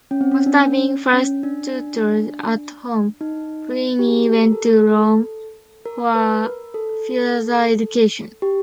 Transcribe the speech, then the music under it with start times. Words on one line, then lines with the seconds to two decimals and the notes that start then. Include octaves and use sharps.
After being first tutored at home, Pliny went to Rome for further education.
0.11 C#4
0.21 C4
0.32 C#4
0.46 D4
0.55 C#4
1.13 C#4
1.43 D4
3.21 D#4
3.99 G4
4.08 G#4
4.44 A#4
4.52 A4
5.86 A#4
6.15 B4
6.45 A#4
6.74 A4
8.42 G4